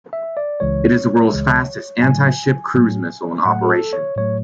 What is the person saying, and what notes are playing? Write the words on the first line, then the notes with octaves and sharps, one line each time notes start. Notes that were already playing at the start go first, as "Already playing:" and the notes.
It is the world's fastest anti-ship cruise missile in operation.
E5
D5
C#2 C#3 E3 G#3 C#5
C#2 C#3 E3 G#3
A2 F#3 A3 G#5
A2 F#3 A3
A2 F#3 A3 F#5
G#4
A4
C#5
A2 F#3 A3 C#5